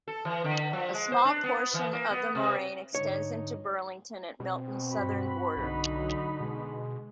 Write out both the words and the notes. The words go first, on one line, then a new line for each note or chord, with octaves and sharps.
A small portion of the moraine extends into Burlington at Milton's southern border.
A4
E3
D3
F3
G#3
C5
D4
B3
E3
A#3
B3
C3
G#2 D3 D#4 C#5
B2 C4
G2 F#4 B5
B1 D3 D#4
F#3
B2 G#3